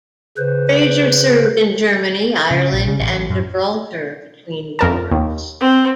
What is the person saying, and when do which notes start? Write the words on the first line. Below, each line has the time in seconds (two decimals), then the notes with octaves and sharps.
Fraser served in Germany, Ireland, and Gibraltar between wars.
0.37 C#3 B4 C5
2.51 C#3
2.72 A#1
2.87 C#3
3.00 A1
3.30 F#2
4.79 F2 A#4 A5
5.11 D#2
5.61 C4